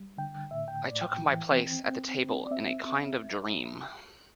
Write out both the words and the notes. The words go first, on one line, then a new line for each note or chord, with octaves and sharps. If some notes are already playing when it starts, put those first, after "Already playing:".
I took my place at the table in a kind of dream.
Already playing: G3
D3 G5
A2 E5
G5
A2 D5
G5
E3
C4
C4
C4
D5
C4 E5
C4